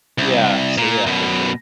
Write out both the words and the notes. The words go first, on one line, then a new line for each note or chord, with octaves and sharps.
Yeah, so, yeah, for sure.
C2
A#2
F#2 B2